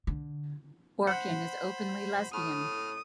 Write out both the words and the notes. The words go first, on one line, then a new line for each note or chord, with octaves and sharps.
Orkin is openly lesbian.
D3
C5 F#5 B5
A2 D#6 F6